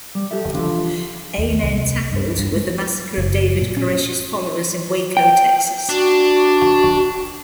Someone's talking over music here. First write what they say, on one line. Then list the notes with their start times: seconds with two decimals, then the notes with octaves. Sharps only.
"Amen" tackled with the massacre of David Koresh's followers in Waco, Texas.
0.15 G3
0.31 G4 A4 E5
0.53 E3 F3 D4 F4 G4 A4
1.38 D#2
1.63 C2
2.12 G2
2.39 G2
2.55 G#3
3.18 F#1
3.61 A#2
3.77 C#4
5.17 G5
5.89 D4 F#4